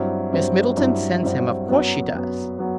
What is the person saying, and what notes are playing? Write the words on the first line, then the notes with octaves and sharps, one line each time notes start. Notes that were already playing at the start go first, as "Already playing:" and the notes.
"Miss Middleton sends him; of course she does."
Already playing: G2 F#3 C4 E4
G2 F#3 C4 E4
G2 F#3 C4 E4
G2 F#3 C4 E4
F#2 F#3 B3
F#2 F#3 B3
F#3 B3